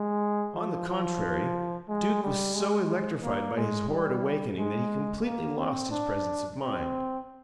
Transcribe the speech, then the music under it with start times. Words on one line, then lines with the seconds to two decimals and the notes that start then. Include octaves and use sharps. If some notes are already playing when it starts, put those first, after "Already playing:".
On the contrary, Duke was so electrified by his horrid awakening that he completely lost his presence of mind.
Already playing: G#3
0.54 F3
0.88 F3
1.88 G#3
2.22 G3
2.55 G#3
3.22 A#3
3.56 G#3
3.89 G3
4.57 G#3
5.24 A#3
5.58 C4
5.91 D4
6.59 C4